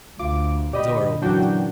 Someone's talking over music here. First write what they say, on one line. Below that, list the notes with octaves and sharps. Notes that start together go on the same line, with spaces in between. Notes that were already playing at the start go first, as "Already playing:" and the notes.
The door opened.
D2 F4 D6
A#2 D3 G4 D5 D#5 B5
F#2 E3 F#3 D4 F#4 G5